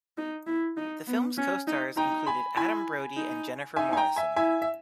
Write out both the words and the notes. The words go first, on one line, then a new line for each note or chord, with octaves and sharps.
The film's co-stars included Adam Brody and Jennifer Morrison.
D#4
E4
D#4
B3
C#4
D#4
D#4 G5 A#5
G#5 B5
E4 G#5 B5
D#4
D#4 E5 G#5
G#5
G5 A#5
E5 G#5
E4 E5 G#5
E5